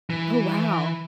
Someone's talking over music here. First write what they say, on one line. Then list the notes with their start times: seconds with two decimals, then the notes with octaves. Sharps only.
Oh, wow.
0.10 E3